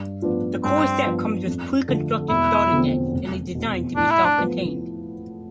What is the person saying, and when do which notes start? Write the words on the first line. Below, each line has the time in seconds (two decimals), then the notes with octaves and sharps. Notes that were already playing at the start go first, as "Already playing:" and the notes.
The core set comes with pre-constructed starter decks, and is designed to be self-contained.
Already playing: G2
0.22 F3 B3 D4 F4
0.64 G2 C4
1.05 F3 B3
1.47 F2
1.88 D3 F3 A3
2.30 E1 E4
2.71 E2 D3 F3 C4
3.13 F1
3.55 E2 B2
3.96 A2 D4
4.11 E4
4.25 D4
4.38 F3 B3